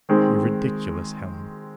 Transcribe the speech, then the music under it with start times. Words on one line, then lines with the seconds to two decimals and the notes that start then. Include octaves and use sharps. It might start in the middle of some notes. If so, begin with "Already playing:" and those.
"You're ridiculous, Helen."
0.09 D#3 G#3 C4